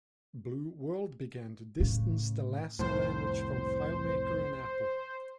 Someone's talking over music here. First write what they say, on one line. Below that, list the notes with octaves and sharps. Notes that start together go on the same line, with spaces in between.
Blue World began to distance the Lasso language from FileMaker and Apple.
A2 C#3
C2 F2 A2 C5